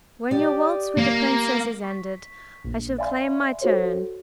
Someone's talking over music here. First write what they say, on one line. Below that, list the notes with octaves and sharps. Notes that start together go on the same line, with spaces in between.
When your waltz with the Princess is ended I shall claim my turn.
G4 D5 D#5
A#3
C#6 B6
A#1
D5 E5 F5 G#5 B5 C6
F#4 A4 C5 C#5